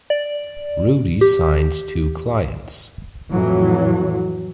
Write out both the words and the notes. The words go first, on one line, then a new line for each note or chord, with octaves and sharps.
Rudy signs two clients.
D5
G4
F2 A2 E3 F#3